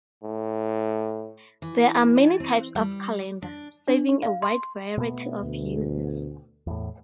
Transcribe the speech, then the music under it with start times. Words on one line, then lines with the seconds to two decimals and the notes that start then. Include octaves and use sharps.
There are many types of calendar, serving a wide variety of uses.
0.24 A2
1.62 E3
2.40 C4
2.75 G3
3.42 D4
3.88 D4
4.23 F5
4.42 C6
4.97 B2 A3 B3
5.42 D2
6.67 E2 A2